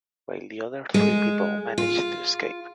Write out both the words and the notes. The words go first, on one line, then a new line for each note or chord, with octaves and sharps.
While the other three people managed to escape.
G#3
F4